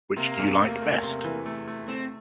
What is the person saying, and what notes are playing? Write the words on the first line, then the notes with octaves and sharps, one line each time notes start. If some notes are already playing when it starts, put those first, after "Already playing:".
Which do you like best?
C3 A#3
E2
A3
A3
C3
E3
A3
A3
A3 C4